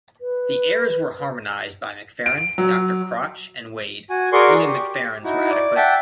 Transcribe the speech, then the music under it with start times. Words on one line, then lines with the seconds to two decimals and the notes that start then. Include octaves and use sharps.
The airs were harmonised by Macfarren, Doctor Crotch, and Wade; only Macfarren's were adequate.
0.21 B4
2.26 D7
2.58 F#3
4.10 F#4 G#5
4.32 F#4 G#4 A#4 D5 C6 C#6
4.67 G4
5.24 D#4 E4 F#4
5.50 D5
5.76 E5 F#5 G5 A5